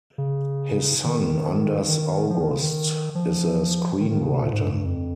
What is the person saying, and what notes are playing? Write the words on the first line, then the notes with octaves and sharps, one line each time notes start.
His son Anders August is a screenwriter.
C#3
D#3
D#3
F3
D#3
C#3
D#3
F3
D#3
D#3
C#3
C3
A#2
G#2
G2
G2
F2